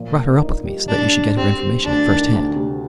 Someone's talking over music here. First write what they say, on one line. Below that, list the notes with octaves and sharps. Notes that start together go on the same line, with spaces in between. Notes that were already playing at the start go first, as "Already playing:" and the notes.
I brought her up with me, so that you should get her information at first hand.
Already playing: A#2 F3
A#3
D#4
G3
A#2 D4
D4
C4 G4
G3
D2 D4
D#3
D2
C3